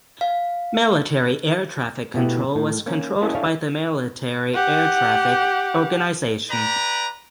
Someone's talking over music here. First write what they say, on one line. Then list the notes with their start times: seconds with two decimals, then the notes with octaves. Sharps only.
Military air traffic control was controlled by the Military Air Traffic Organisation.
0.21 F5
2.14 B2 A3 E4 G4 F#5
2.55 A2
2.86 A#3 C#4 A#5
3.21 A#3 C#4 E4 G#4 D#5 A5
3.35 D4 E4 A4 C#5 F5 G#5
4.54 G4 F#5
6.50 G4 B4 D5 A#5